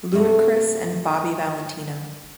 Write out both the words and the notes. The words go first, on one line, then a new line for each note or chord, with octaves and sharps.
Ludacris and Bobby Valentino.
G2 C3 A3 F#4